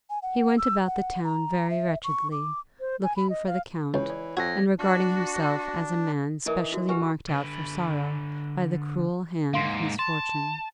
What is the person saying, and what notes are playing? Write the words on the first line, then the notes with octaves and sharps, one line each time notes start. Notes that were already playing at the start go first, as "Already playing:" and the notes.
He went about the town very wretchedly, looking for the Count, and regarding himself as a man specially marked out for sorrow by the cruel hand of misfortune.
G#5
F#5
E6
F#5
A#5
E5
C#6
D6
C5
G#5
B5
D#5
F5
C#2 E3 C#5
D5
F2 F#4 G#6 A#6
D4 F#4
E3 D#4 E4 A#4
E4 F#4
F#4 G4 B4 G#5
D3 B4
G#2 A#3 F5 C6 B6
A5 C6